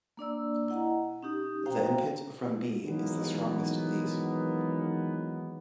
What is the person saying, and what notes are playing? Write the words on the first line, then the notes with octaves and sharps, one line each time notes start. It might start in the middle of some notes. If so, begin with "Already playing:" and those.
The input from B is the strongest of these.
A#3 D4 D5 E6
E4 D#5 F#5 A#5
C#4 D#4 G4 D#6
F#4 C5 F5 G5 A#5
D#3 E3 F#3 G#3 A#3 B3